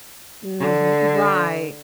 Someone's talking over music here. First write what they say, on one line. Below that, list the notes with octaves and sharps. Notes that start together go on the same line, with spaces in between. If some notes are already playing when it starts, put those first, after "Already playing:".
Mhm Right.
D3